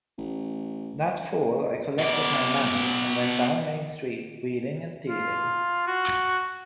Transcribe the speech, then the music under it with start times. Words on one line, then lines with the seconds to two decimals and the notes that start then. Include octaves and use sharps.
That fall I collected my money and went down Main Street wheeling and dealing.
0.18 A1
1.99 B2 D5
5.09 F4
5.87 F#4